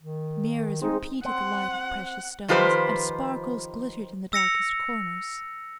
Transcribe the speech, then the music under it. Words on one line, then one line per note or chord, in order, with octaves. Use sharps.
Mirrors repeated the light of precious stones, and sparkles glittered in the darkest corners.
D#3
G#3 C4 D#4
C4 F#5
D#3 F3 F4 G4 B4 C5
E6 A#6 C#7 F7